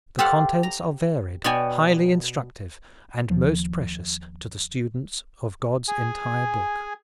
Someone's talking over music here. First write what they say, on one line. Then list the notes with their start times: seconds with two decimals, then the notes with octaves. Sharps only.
The contents are varied, highly instructive, and most precious to the student of God's entire book.
0.19 G4 A4 C5 F5 F#5
0.63 A#5
1.44 B2 B3 C#5 D5 G5 G#5
3.30 D#2 F3
5.88 G#4 G#5